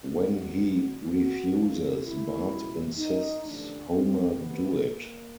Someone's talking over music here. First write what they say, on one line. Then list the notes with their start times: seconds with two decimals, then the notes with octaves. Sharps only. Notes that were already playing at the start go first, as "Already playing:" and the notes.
When he refuses, Bart insists Homer do it.
0.19 F#4
0.66 D2 D3 F3
1.13 F#4
1.58 F2 C3 E3 F4
2.05 E4
2.52 C#2 B2
2.98 D#4
3.45 A1 G2 D3 F3 D4
3.91 C4
4.37 F2 C3 D#3 B3
4.84 A#3